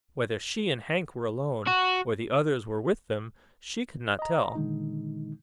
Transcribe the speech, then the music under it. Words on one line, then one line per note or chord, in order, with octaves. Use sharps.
Whether she and Hank were alone, or the others were with them, she could not tell.
F#4
D#5 A#5
A#2 D3 D#3 G#3 D#4